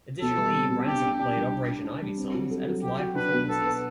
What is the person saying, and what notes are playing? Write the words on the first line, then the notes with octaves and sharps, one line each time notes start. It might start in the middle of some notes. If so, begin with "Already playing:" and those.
Additionally, Rancid have played Operation Ivy songs at its live performances.
B2 A4
G3
C4
B2
D4 G4
D4
D4 G4
G3
D4
D4
D4
G3
C4
F#3
A4
F#3
F#4 G4
F#4
D4 B4
B2
B3 A4
B3